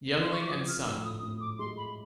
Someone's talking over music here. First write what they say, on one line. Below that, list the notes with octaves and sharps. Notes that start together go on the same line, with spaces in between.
Yuengling and Son.
C6
C#6
D6
F3 D#6
F6
A2 E6
D#6
A2 D#6
D6
G#3 C6
B5